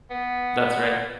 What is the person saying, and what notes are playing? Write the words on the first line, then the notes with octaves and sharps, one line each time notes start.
That's right.
B3